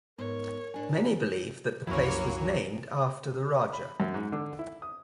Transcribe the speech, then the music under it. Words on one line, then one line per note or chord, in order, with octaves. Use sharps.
Many believe that the place was named after the Raja.
G#2 B3 A#4 C#5
A2 D4 G#5
C2 F#2 F3 F#3 A#3 C#4 E4 C#5
B5
F#2
G#2
D3
E4
D#6